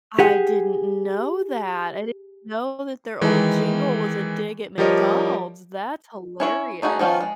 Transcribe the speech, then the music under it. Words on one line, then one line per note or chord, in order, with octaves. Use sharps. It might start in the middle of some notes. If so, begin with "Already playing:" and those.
I didn't know that. I didn't know that their old jingle was a dig at McDonald's, that's hilarious.
G4 G#4 F#5
D#3 E3 G#3
F3 G3 G4 A#4 C#5 D#5
C#4 E4 C#5
A3 D#4 F#4 G#4
D#3 F3 B3 C#4 F4
G#3